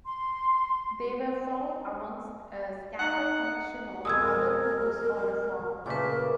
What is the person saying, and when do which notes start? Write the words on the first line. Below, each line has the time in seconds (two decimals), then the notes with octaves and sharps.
They were found amongst a scattered collection of other tools on a farm.
0.06 C6
2.99 D#4 F#5
4.05 F2 B2 G#3 A#4 D#6 E6 G#6
5.86 A#2 C#3 A3 A#4 B4 D6